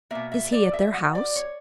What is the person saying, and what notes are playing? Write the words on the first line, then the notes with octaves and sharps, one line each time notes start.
"Is he at their house?"
B2 A#3 E5
E5
D5
E5
F#5
D5
C#5